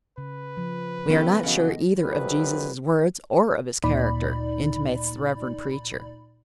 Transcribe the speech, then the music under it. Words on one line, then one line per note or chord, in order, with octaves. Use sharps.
We are not sure either of Jesus' words or of his character, intimates the Reverend preacher.
C#3 B4
F3
B3 C#4 E4 G4 A4
C#3 E3 F#3 D#5
C2 F2 F#3 B4
D2 A#2 D#4 D5 B5